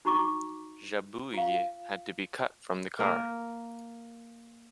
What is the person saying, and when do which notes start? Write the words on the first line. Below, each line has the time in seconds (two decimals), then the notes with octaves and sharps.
Jabouille had to be cut from the car.
0.05 D#4 F#4 A#5 C#6 D6
1.34 F4 F5
2.99 A#3 A#4